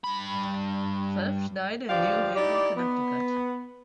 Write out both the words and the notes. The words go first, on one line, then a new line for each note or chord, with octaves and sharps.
Phelps died in New Haven, Connecticut.
G2 B5
G2 D3 F3 G4 D5 F5
D#4 E4 G4 D5
B3